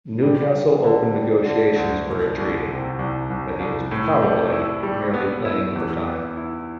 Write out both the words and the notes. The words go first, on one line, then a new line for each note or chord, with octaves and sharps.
Newcastle opened negotiations for a treaty, but he was probably merely playing for time.
G3
G3
D3
G3
D3
D2
C2
C2
C3
C2
C2
C2
A2
G3
E4
G3
B3
E4
E2
B3
E4